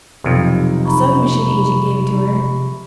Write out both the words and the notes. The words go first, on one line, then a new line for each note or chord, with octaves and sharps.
A sewing-machine agent gave it to her.
B1 F2 C3 D#4
A#5 B5 C#6